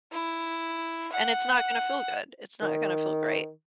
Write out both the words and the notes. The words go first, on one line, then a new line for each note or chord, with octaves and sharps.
And it's not gonna feel good, it's not gonna feel great.
E4
F#5
D#3